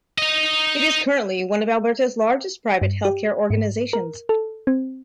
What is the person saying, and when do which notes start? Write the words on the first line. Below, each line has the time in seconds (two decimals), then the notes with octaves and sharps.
It is currently one of Alberta’s largest private healthcare organizations.
0.18 D#4 D#5
2.82 G2
3.05 G4
3.50 G#2
3.93 A#4
4.29 A4
4.67 C4